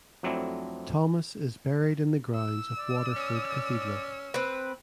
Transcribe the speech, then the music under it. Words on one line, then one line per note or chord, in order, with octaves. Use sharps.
Thomas is buried in the grounds of Waterford Cathedral.
F2 F#3 A3 C4 D4 E4
E6
D5
C#4
C4 B4